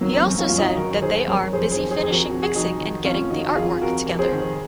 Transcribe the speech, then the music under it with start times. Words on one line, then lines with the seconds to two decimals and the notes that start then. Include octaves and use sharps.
He also said that they are "busy finishing mixing and getting the artwork together".
0.01 D#3 F#3 A#3
0.13 C4
0.20 A#3 C#4
0.26 F#2
0.38 C#4 F4
0.49 F#2 F4
0.57 D#4 F#4
0.76 D#3 F#4 A#4
1.02 D#3 G#4 C5
1.28 F#2 A#4 C#5
1.53 F2 G#4 C5
1.72 G#4 C5
1.79 D#3
1.91 G#4 C5
2.03 F2 G#4
2.10 F#4 A#4
2.28 C3 F#4
2.42 G#4
2.55 F2 D#4 F#4
2.79 D#3
3.05 F2 C#4 F4
3.30 D#3 D#4 F#4
3.47 F#4
3.55 F2 F4 G#4
3.81 C3 F#4 A#4
4.06 F2
4.19 G#4 C5
4.31 D#3